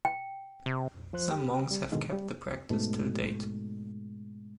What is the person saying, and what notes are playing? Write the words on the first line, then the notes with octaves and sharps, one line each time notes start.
Some monks have kept the practice till date.
G5
C3
F3 C5 F#6
G4
G3
E2 G#2 B2 D3 D#3 G#3
G3
G#2 B2 A3